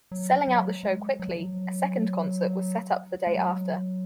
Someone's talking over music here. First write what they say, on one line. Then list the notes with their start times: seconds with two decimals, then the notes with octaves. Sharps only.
Selling out the show quickly, a second concert was set up the day after.
0.11 F#3
0.48 F#3
0.83 G#3
1.20 F#3
1.28 F3
1.37 F#3
3.27 G#3
3.35 F#3